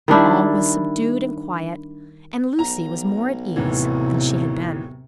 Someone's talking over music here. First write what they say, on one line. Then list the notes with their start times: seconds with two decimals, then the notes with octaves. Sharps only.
All was subdued and quiet, and Lucie was more at ease than she had been.
0.08 D#3 G3 D4 E4
2.59 B1 A#5
3.56 D#2 A2 C3 E3